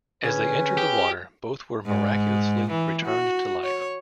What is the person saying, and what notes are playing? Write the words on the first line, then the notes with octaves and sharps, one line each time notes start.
As they entered the water, both were miraculously returned to life.
D3 C#4 G#4 B4 G#6
G4 G#4
G#2
E3
F#4
C#5